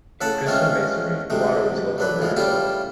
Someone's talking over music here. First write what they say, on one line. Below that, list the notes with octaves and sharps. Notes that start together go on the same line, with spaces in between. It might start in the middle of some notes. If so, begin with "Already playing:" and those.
In Christian masonry the motto is “Look over yourself”.
C#3 A4 F#5 A5
G#3 A3 C4 C#4 F4
D2 C3 G#3 A3
F#3 D4 B4
D2 A2 F3 G#3
C#3 G3 A3 E4 F4 G4